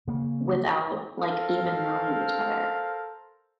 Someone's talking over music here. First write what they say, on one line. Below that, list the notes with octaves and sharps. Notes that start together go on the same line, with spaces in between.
without, like, even knowing each other.
C#3 A#3
A4 A#4 C5 F5